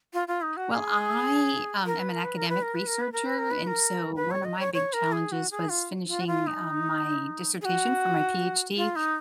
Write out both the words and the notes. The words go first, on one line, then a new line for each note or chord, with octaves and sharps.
Well, I, um, am an academic researcher, and so one of my big challenges was finishing, uh, my dissertation for my PhD.
F4
F4
D#4
F#4
G#4
A#4
B4
A#4
B4
A#4
B4
A#4
B4
A#4
B4
A#4
B4
A#4
B4
B4
A#4
B4
C#5
D#5
C#5
C#5
A#4
G#4
F#4
G#4
F4
F4
F#4
F4
D#4
G#4
F#4
F4
D#4